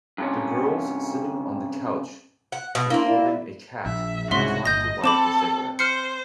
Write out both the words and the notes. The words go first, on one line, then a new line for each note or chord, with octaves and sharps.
The girls sitting on the couch is holding a cat and trying to light a cigarette.
G2 C3 C#4
F#5
B2
A#3 C4 D4 E4
E4 D5 E5
A#1 E5
C2 G#2 C#3 F#4 E5 C6
G1 D#5 G6 A#6
C4 A4 B5 D6 E7
C5 F6 C7 C#7